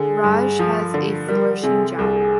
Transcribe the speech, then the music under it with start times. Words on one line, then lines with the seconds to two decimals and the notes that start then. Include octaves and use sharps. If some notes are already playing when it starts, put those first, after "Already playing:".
Raj has a flourishing job.
Already playing: D3 G#4
0.24 G2
0.59 F3
0.94 D3
1.28 G3 A#4
1.63 C3 G#4
1.98 C2 G#4